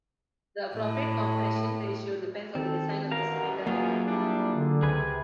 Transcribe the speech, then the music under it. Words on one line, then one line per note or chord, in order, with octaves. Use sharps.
The appropriate compression ratio depends on the design of the cylinder head.
A2
A1 D#3 C4 A4
A1 F#2 B2 A#4 F5
F#3 A#3 F4 G#4
G3 D4 E4
D3
C#2 C3 G#4 B4 G#5